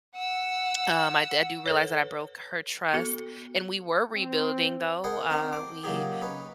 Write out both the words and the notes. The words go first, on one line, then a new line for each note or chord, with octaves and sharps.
Um, I di I do realize that I broke her trust, and we were rebuilding though, uh, we
F#5 E6
A4 B4 C#5
B3 F#4 A4
C4
A#4 C5 D#5 F#5 G#5
C4 D4 D#4 A#4
C5 D6
A#2 C#3 F#3 D#4 G4 G#4
C#4 D#4 B4